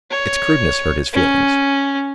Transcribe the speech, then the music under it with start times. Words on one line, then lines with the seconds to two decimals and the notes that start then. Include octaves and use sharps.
Its crudeness hurt his feelings.
0.10 C#5
1.13 C#4